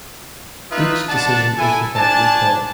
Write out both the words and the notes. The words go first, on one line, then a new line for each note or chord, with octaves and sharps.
Each decision is without recall.
D#4 F4 B4 D#5 E5
D4 F#5 A5
E4 A4 G#5
D4 G#5 A5